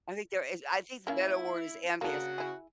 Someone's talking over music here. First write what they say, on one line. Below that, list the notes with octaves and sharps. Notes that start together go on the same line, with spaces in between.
I think there is I think the better word is envious.
A#3 C#4 E4 F5
C#3 A#3 D4 F#4
E4 G#4